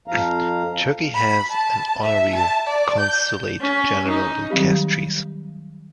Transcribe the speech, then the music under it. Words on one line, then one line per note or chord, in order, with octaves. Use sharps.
Turkey has an Honorary Consulate General in Castries.
F2 F3 F5 A#5
B5
A5
E5
A5
D5
G6
C#4
D#4
D#3 F#3 G3 C4 G4